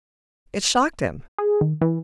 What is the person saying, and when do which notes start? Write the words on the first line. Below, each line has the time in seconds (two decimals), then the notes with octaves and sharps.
It shocked him.
1.38 G#4
1.61 D#3
1.81 E3